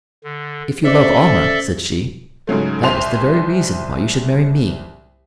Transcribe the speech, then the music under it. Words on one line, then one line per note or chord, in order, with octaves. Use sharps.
"If you love Almah," said she, "that is the very reason why you should marry me."
D3
C#4 A4 C5 D5 E5
G#2 C#3 F#3 A3
C2 C5 F7